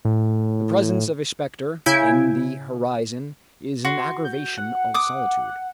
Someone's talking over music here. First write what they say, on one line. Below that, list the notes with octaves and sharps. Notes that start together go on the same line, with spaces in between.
The presence of a spectre in the horizon is an aggravation of solitude.
A2
C#3 E4 G#5 G6 G#6 D7
F#4 C6
G6
F#5
D6 D#6